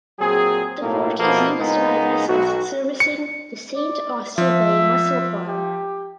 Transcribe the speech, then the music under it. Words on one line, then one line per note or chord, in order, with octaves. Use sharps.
The port is used by vessels servicing the St Austell Bay Mussel Farm.
A#2 F#3 C4 G#4
B1 A2 A#3
B2 F3 A#3 B3 E4 A4
C#2 G#3 A#3 B3 D#4
B1 F#4
C#7
D5
F3 E5
G4